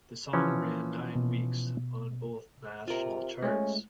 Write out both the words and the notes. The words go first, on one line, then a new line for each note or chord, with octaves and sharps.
The song ran nine weeks on both national charts.
E3 F3 C#4
B2
C3 F4 A#4
G#3 A3 C#4